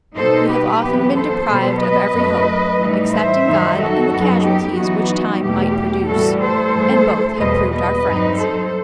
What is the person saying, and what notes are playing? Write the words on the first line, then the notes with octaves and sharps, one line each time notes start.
We have often been deprived of every hope, except in God and the casualties which time might produce, and both have proved our friends.
B2 G3 D#4 A4 C5
G4 B4
F#2 E3 B3
A4 C5
B2 F#3 B3
B4 D#5
F#2 F#3 A3
A2 E3 G3 D#4
C5 E5
F#2 D#3 G3 D#4
F#4 A4
F#2 F#3 B3 D#4
G4
F#2 E3 B3 D#4 F#4
E2 B2 A3 G4
A2 E3 G3 F#4 A4
A4 C5
G2 E3 A3
E2 B2 G3 B4 D#5
B4 D#5
G2 F#3 C4 D#4
A4 C5